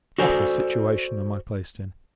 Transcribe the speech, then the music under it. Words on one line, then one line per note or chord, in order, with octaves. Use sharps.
What a situation am I placed in!
F#4 A4 C5 D5 G#5